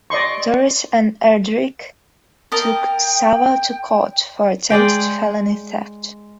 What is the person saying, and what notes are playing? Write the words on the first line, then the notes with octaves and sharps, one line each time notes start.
Dorris and Erdrich took Sava to court for attempted felony theft.
D5 D#5 C6 C#6
A#4 D#5 G5 A5
G#3 G#4 D5 G5